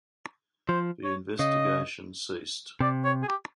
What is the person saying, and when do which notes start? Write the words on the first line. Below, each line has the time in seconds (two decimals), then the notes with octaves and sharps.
The investigation ceased.
0.68 F3 C5
1.04 C#5
1.39 C#3 D#5
2.81 C3 D5
3.05 C#5
3.23 G#4
3.28 G4